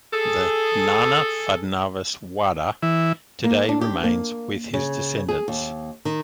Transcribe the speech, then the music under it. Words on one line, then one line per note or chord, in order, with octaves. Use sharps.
The Nana Phadnavis Wada today remains with his descendants.
G#4 A4
E3
A#3
D4
G4
A#3
C#3
G#4
D#2
D#3